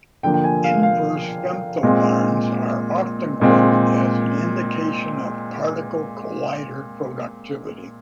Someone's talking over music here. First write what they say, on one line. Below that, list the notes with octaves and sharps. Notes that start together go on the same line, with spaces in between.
Inverse femtobarns are often quoted as an indication of particle collider productivity.
D3 F3 A#3 G5
G5
G#5
F5
F5
A#2 G#3 C4
A#2 G#3 C4